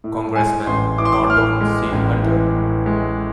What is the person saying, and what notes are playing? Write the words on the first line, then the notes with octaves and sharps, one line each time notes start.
Congressman Morton C. Hunter.
A2
G#3 G#5
A1 C6
E3 D6
C6
D6
A2 F6
G#3
A1
E3
A2
G#3